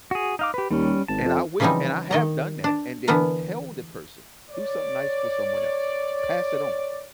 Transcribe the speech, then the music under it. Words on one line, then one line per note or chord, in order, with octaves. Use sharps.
and I wish and I have done that, and then tell the person, "Do something nice for someone else. Pass it on.
F#4 G#4
D#4 F5 D6
G4 B4
D#2 G3 C#4
G#1 A5
F2
C#3 E3 F3 G3 C4 D#4
D#3 D#5 A#5
D4
D3 E3 B3 A#4 A#5
C#5 D5